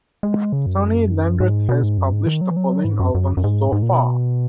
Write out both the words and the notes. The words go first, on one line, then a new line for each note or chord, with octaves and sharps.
Sonny Landreth has published the following albums so far.
G#3
C#3
F#2
G#2
B2
G#2
F#2
G#2
D#3
F#3
E3
F#3
G#2
F#2
F#2
F#2
G#2
G#2
A#2
B2